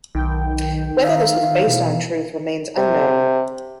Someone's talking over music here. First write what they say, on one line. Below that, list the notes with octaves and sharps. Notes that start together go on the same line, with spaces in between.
Whether this was based on truth remains unknown.
B1 D#3 G5
D#4 E5 F5
B2 E3
C3